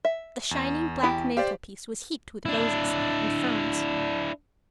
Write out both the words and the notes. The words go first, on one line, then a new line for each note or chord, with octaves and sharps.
The shining black mantelpiece was heaped with roses and ferns.
E5
E2
E4 G4
G4 C5 D5 F5
D4 E4